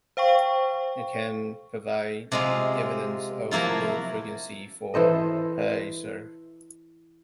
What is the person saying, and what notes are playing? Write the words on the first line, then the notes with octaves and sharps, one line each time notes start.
It can provide evidence of rule frequency for a parser.
C5 F5 G5 C#6
C3 G#3 F4
F3 F#3 A#3 E4 F4
E3 A4 C5 D#5